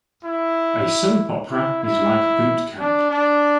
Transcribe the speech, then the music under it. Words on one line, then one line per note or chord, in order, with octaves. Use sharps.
A soap opera is like boot camp.
E4
E4
E4
D4
D4